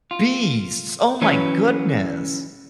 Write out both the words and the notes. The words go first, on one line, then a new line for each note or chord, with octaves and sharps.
beasts. Oh my goodness.
F4
E3 F#3 C#4 B4